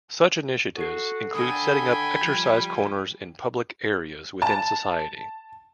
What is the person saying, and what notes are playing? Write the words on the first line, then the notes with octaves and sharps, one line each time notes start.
Such initiatives include setting up exercise corners in public areas within society.
F#4 A4 C7
D3 G5 G#5 B5 D#6 A#6
F3 G3 G4 G6
A5